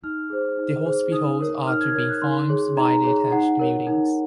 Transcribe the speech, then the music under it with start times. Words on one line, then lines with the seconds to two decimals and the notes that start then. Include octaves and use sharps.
The hospitals are to be formed by detached buildings.
0.04 D#4 F6
0.30 G#4 C5
0.57 D#4
0.86 G#4 C5
1.12 D#4 D#6
1.41 A#4 C#5
1.67 D#4 F6
1.81 G#6
1.95 A#4 C#5
2.09 F#6
2.22 D#4 C6
2.49 G#4 C#5
2.77 D#4 A#5
3.04 G#4 C#5
3.31 D#4 F#5
3.60 A#4 C#5
3.87 D#4